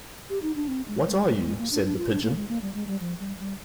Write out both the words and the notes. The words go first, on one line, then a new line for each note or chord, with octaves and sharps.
What are you?’ said the Pigeon.
G4
D#4
D4
C4
G#3
G#3
G3
G#3
G#3
A#3
D4
D4
F4
D4
A#3
G#3
A#3
G3
G#3
G3
F3
G3
G3